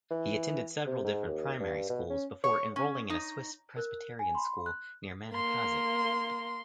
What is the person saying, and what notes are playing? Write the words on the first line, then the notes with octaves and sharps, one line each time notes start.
He attended several different primary schools before enrolling in a Swiss-Presbyterian school near Manjacaze.
E3
C3
G#2
D#2
G2
B2
C#4
C#5
C#4
D#4
A#4 F#6
G#5
B5 C6
F#6
A#3 C6